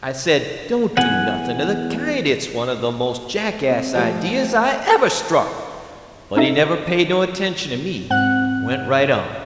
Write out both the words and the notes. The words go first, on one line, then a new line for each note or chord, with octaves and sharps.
I said, "Don't do nothing of the kind; it's one of the most jackass ideas I ever struck;" but he never paid no attention to me; went right on.
E2 B3 F#5 G#5
C4 G#4
F3 A3 G4 E5 F5
C#4 D#4 A4 D#5 E5
G#2 C4 F#5 F#6